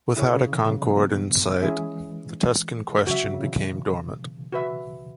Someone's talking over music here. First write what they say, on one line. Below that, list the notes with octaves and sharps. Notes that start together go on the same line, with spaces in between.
Without a concord in sight, the "Tuscan question" became dormant.
C#3 E4 G#4 C#5
C#3
B2 E3
C#3 F#3
F#3 B3
E3 G#3 C#4 E4 G#4 E5
C#3 F#3 F#4 E5
C#3
B2 E3
F#4 B4 E5